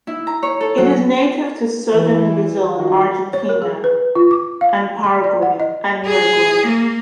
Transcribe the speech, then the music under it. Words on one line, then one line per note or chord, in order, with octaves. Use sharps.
It is native to southern Brazil and Argentina, and Paraguay and Uruguay.
E4
A#5
C#5
A4
F#3
E3
D#3 F4 F#4
C#5
A#4
G#4
B4
F4
D6
F5
C6
D5
F#5
D#5
G#4
A#3